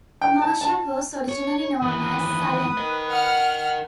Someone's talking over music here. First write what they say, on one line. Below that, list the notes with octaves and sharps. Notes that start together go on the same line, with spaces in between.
Marshall was originally known as "Salem".
G5
A5
A5
C#5
D#2 E3 B4 D#6
A#4 D#5
F#5 F6